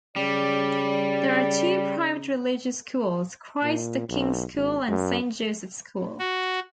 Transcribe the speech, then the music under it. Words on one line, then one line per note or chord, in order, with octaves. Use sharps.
There are two private religious schools: Christ the King School and Saint Joseph School.
C#3 G3 D5
A#2
B1
G#1
F#2
F#4